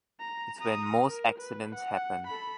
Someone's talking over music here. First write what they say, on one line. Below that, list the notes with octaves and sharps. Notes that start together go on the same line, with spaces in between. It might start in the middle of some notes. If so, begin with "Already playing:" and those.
It's when most accidents happen.
A#5
A#5 D#6
A#4
B4
F#5
A4 B5